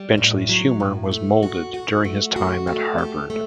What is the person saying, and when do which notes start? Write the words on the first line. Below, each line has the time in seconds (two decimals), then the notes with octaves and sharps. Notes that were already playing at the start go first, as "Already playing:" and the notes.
Benchley's humor was molded during his time at Harvard.
Already playing: G3
0.18 A2
0.49 F#3
0.80 A2
1.11 A3
1.43 F#4
1.74 F#4
2.05 A3
2.36 F#4
2.67 A3
2.98 G4
3.30 A3